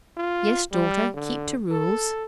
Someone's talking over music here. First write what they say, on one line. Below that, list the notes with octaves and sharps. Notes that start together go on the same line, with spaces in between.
"Yes, daughter; keep to rules."
F4
G3
D3
A4